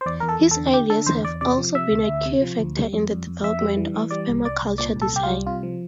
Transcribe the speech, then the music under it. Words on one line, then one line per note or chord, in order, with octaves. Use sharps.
His ideas have also been a key factor in the development of permaculture design.
C5
E2 D5
E2 A#4
A4
E2
A4
D3
D3 G4
D3 A4
E2 C5
E2 D5
C3 D5
F3
C3 E5
D2
D2
C3
F3
D2
G3
F2
F2
F2
F2 E5
G3
E3
E3
G3 D5
C2
C2 D5
C2
A#2 D5
C2
A4
C2 G4
F4
G3
C3 F4
F3